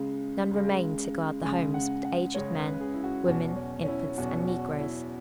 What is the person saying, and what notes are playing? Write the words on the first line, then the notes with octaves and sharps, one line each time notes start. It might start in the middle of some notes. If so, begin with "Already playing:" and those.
None remained to guard the homes but aged men, women, infants and negroes.
Already playing: C#2 C#3 G#3
C#2 C#3 G#3
C#2 C#3 G#3 G#5
F#5
F#5
C#2 C#3 G#3 C#5
B4
B4
G#4
E4
F#4
E2 B2 F#3 F#4
C#4
C#4
E4
E2 B2 F#3 F#4
F#4
E4